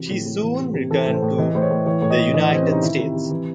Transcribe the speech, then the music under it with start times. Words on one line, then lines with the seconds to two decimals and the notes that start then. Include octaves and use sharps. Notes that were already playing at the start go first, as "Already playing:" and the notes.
She soon returned to the United States.
Already playing: C3 E3 F#4
0.10 A2
0.26 A2
0.42 E3
0.59 C3
0.74 C3
0.90 E3 A4
1.06 A2
1.14 C5
1.23 A2
1.38 E3 D#5
1.55 A2 C5
1.62 C#5
1.71 A2
1.86 E3 C#5
2.02 A2 C#5
2.10 D#5
2.19 A2
2.34 E3 D#5
2.51 C3 C4
2.62 C3 C#4
2.72 D#4
2.82 D#3 E4
2.98 C3
3.15 C3
3.31 E3